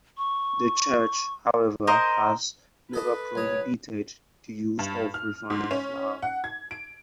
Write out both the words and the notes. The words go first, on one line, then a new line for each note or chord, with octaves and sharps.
The church, however, has never prohibited the use of refined flour.
C#6
A#4 C5 D#5 C6
A4 B4 D#5 A5
C2 C#5 D#5
G2
F6
G#2
C#4
F#5
G#6
D7